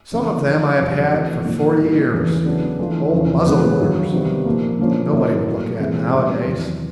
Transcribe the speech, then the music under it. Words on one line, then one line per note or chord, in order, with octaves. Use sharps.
Some of them I have had for forty years, old muzzle-loaders that nobody would look at nowadays.
C#3 E3 A3
D3 F3 A3
F2 C#3 E3 G3
F2 C3 E3 A3
A#2 F3 A#3 D#4
A#2 G3 B3
E2 C#3 E3 A3
C#3 F#3 B3 D4
E3 A3 D4 F4
E2 C#3 F3
C#3 E3 G#3 B3
G2 D#3 F#3
C3 D#3 G3 B3
A#2 F3 A#3
D3 F3 A#3 C#4
D#3 F#3 A#3 C#4 E4
A2 F#3 A3
C3 E3 G#3 C4 E4
C3 E3 G3 B3 D4
E2 C3 D#3 F#3